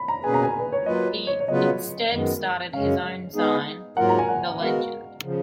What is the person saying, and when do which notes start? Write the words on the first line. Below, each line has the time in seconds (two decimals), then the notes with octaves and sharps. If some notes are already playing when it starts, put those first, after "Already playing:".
He instead started his own zine, The Legend!
Already playing: B5
0.08 A#5
0.24 B2 A#3 C#4 G#4 B4 G#5
0.34 A#5
0.43 G#5
0.59 B4
0.72 C#5
0.86 F#3 A#3 F4 B4 D#5
1.27 C#5
1.40 C#5
1.48 C#3 F#3 B3 F4 B4 D#5
2.11 F#2 D#3 G#3 B3
2.73 F#2 C#3 G#3 C#4 F5
3.35 G#3 B3 D#4 G#4
3.97 G#2 F#3 A#3 F4 A#4 F#5
4.09 A#5
4.19 G#5
4.28 F#5
4.60 G#3 B3 F#4 A#4 F5
5.22 C#3 F3